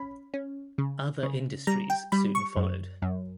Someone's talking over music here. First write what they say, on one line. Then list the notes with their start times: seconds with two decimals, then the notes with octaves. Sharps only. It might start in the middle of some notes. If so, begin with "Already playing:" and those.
Other industries soon followed.
Already playing: C#4 B5
0.34 C#4
0.78 C#3
1.23 C#3
1.67 G3 A#5
1.90 G5
2.12 G3 B5
2.35 C#6
2.56 F#2
3.02 F#2